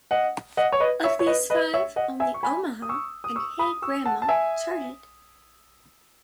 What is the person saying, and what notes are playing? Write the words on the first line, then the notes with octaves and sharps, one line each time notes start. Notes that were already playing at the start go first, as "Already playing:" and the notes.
Of these five, only "Omaha" and "Hey Grandma" charted.
D#5 F#5
D#5 F#5
C#5
B4 D#5
C#5 E5
C#5
B4 D#5
B4 D#5
C#5 E5
D#5 F#5
E5 G#5
C#6
G#5 B5
D#6
C#6 E6
D#6
C#6 E6
B5 D#6
C#6 E6
F#5 A5
A5
E5 G#5